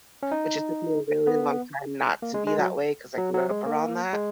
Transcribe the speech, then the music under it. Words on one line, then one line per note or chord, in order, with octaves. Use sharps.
which just took me a really long time not to be that way 'cause I grew up around that.
C#4
D#4
B3
A#3
G#3
G#3
F#3
F#3
F#3
G#3
A#3
G#3